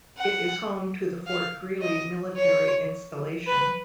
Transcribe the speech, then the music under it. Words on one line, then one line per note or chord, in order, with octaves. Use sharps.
It is home to the Fort Greely military installation.
F#5
F5
D#5
C#5
B4